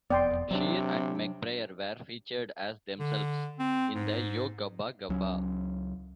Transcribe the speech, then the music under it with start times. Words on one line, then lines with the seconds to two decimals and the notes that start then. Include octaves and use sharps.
Scheer and McBrayer were featured as themselves in the Yo Gabba Gabba!
0.10 E1 F2 B3 D5 G5 C6
0.51 C3 F#3 D4
3.00 D3
3.59 C4
3.95 G#2
5.09 C#2 F#3 C#4